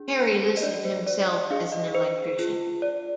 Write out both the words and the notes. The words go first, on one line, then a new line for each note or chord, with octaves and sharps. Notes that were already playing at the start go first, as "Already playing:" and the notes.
Perry listed himself as an electrician.
Already playing: D4 G#4
C5
D#5
D4 G4 D5
C5
D5
D#5
D4 G#4 F5
D#5
C5
D4 F4 G#4
D5